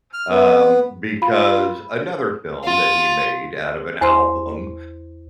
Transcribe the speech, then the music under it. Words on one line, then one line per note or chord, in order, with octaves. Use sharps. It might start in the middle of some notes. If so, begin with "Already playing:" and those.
um, because another film that he made out of an album
F6
B3
F4 B5
F4
E2 C5 A#5 C6